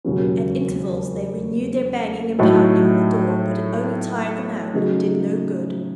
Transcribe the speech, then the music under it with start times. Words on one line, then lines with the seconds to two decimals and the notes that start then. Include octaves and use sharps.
At intervals they renewed their banging and pounding on the door, but it only tired them out, and did no good.
0.04 E1 D#2 C#3 F#3 C#4
2.39 A2 F#3 A3 D#4 A4
4.74 C#3 F#3 A3 D#4 G#4